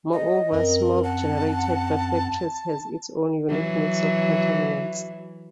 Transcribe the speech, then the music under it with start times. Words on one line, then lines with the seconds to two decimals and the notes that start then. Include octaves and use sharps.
Moreover, smog generated by factories has its own unique mix of contaminants.
0.13 D#5
0.52 F#2 C4 A#4
1.04 F#5 A5
3.49 E3 F#3